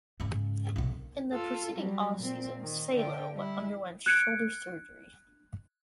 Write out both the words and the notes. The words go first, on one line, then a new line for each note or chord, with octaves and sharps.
In the proceeding off-season, Salo underwent shoulder surgery.
G#2 C#3
B1 C3
F4 A4
F#3 G3
A#2 C4
D#3
D3 G5
G3 E4
F#6 G#6 C#7 D7